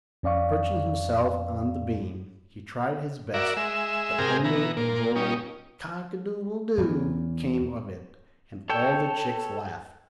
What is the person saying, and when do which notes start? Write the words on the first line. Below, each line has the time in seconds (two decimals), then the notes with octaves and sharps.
Perching himself on the beam, he tried his best, but only a droll 'cock-a-doodle-doo' came of it, and all the chicks laughed.
0.23 F2 C#4 D5 F5 C#6
3.34 F#4 A#4 D5 E5
3.57 G#3 E5
4.19 G#2 C3 G4 G#4 A#4 F6
4.44 B2 E3 A#5
4.77 A#2 A#3
5.16 G3 C#4 D#4
6.78 E2
8.70 A4 C#5 G5